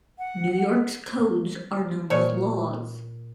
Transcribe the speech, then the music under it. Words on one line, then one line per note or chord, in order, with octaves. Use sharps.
New York's codes are known as Laws.
F#5
A#2 F3 G3 C#5